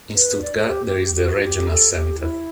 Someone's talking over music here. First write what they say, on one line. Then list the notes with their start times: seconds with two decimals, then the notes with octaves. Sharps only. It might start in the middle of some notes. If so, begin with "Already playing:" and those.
In Stuttgart there is the "Regional Center".
0.15 B4
0.42 D5
0.57 A4
0.68 G4
0.86 G4
1.05 G4
1.16 G4
1.25 F#4
1.36 F#4
1.44 G4
1.70 A4
1.95 G4
2.20 E4